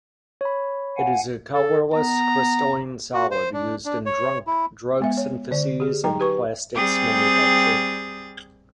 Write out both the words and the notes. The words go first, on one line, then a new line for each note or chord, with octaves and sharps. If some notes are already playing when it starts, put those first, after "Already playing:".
It is a colorless crystalline solid used in drug syntheses and plastics manufacture.
C#5 B5
F5 F#5 G#5
A4
B3 A#5
F#4
C5
D4
D4
C#5
E4
G#3 B3 E5
C#5
D3 D5
G4 G#4
F#3 D#4 G5 A#5
G4 B4 C#6
G3 C4 G#4 D#6 G6 A6